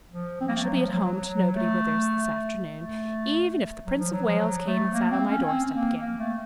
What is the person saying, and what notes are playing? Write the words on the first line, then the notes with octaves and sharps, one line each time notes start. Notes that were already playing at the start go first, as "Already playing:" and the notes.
I shall be at home to nobody, Withers, this afternoon, even if the Prince of Wales came and sat on my doorstep again.
F3
C4
A#3
A3
F#3
F3
F#3
F#3
F#3
F#3
A3
A3
F#3
F3
F#3
F3
F#3
A3
A#3
C4
C#4
C4
A#3
A#3
A3